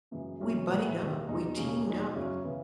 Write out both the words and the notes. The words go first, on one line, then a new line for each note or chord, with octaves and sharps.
we buddied up, we teamed up.
F#2 C#3 E3 G#3
B1 B2 F#3 C#4 E4
A2 E3 G#3
E1 D#2 D#3
E2 B2 G#3 D#4
E1 D#2 C#3 G#3 C#4
E2 B2 G#3 D#4
F#2 C#3 F#3 C#4 E4
C#3 E3 B3